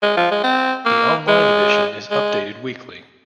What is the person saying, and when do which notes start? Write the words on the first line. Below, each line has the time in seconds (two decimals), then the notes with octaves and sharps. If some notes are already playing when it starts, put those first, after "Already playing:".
The online edition is updated weekly.
0.03 G#3
0.17 F3
0.31 G#3
0.44 C4
0.85 A#3
1.28 G#3
2.11 G#3